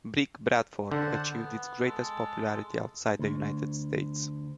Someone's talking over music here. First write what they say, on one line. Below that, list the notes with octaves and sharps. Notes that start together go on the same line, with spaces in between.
"Brick Bradford" achieved its greatest popularity outside the United States.
D3 C5 F#5 A5
B3
G#3 A4
D2